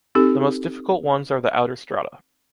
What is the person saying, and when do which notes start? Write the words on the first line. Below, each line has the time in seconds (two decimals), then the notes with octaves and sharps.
The most difficult ones are the outer strata.
0.15 C4 D#4 G4 A4